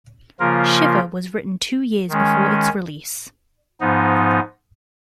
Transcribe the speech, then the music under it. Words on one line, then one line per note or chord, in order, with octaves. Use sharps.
"Shiver" was written two years before its release.
C#3 F3 A#3 F4 A#4
D#3 G#3 C#4
G#2 F3 B3 D#4